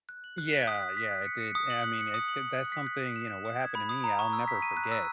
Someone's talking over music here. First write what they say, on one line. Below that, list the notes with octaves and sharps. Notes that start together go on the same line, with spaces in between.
Yeah, yeah, it did, I mean, it c that's something, you know, what happened to me, I'll never forget,
F#6
F#7
F#6
B6
D#6
F#6
B6
F#6
C#7
C#7
D#6
F#7
F#6
C#7
D#6
F#7
F#6
F#6
B6
F#6
B6
E7
F#6
D#6
G#6
B5
D#6
A#5
C#6
E6
B6
D#7
F#6
E6